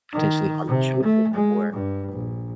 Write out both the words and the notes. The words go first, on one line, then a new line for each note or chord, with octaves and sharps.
potentially harming children or,
D#3
C3
A3
G#3
G2
A#1